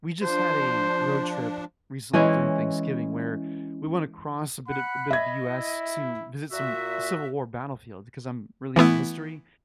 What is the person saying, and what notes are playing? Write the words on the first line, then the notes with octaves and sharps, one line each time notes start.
We just had a road trip recently during Thanksgiving where we went across a bit of a bit of the US to visit some Civil War battlefield 'cause I'm really into history,
F3 D4 C5
E3 G#3 C#4 E4
F#5 B5 F#6
D#5 E5 G#6
E4
A#2 F#4 E5
E3 A3 B3 E4